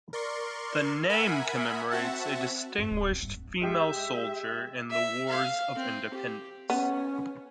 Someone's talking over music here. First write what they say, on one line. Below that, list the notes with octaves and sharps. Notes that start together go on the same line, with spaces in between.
The name commemorates a distinguished female soldier in the wars of independence.
A#4 D5 C6 C#6
A#4 E5 F#5 G#5 B5
C4 F#4 E5 F#5 A5
G2
D1
C4
G2
G#3 G4 E5
E5
F5
C4
G4
B3 C#4